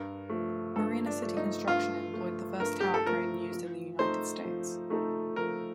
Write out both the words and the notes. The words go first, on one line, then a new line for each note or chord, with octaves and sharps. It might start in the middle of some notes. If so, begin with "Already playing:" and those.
Marina City construction employed the first tower crane used in the United States.
Already playing: G2 A#4
F3 A3
G2 A4
D4
F3 A3
D#4
G2 F4
F3 A3
G2 A#4
G4
A4
F3 A3 A#4
F3
A3 D#4 A4 C5
F3
A3 D#4 A4
F3 A#4